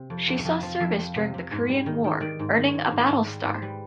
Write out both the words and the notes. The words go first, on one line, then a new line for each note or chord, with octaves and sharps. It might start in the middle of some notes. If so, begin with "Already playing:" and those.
She saw service during the Korean War, earning a battle star.
Already playing: C3
F2
F2
F2
F3
F2 E5
F2
C3
C3
G#2
G3
D#3
D#3
D#3 D5
G#2
D#3
C#5
G#2
G#2
G#2
G3
G#2
C5
G3 B4